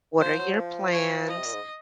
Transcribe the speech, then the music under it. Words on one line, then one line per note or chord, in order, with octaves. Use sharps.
What are your plans?
F3 C5
F#3
F3
F3 C#5
F3 D#5
C3
A#2
G#2